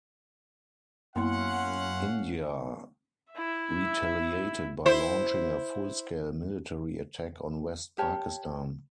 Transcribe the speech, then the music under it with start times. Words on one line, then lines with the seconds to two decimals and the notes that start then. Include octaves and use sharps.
India retaliated by launching a full-scale military attack on West Pakistan.
1.16 F#2 A#3 B3 C#4 E4 F5 F#5 C6
3.32 E4 E5
4.86 E4 C5
7.98 G4 A#4 C#5 A5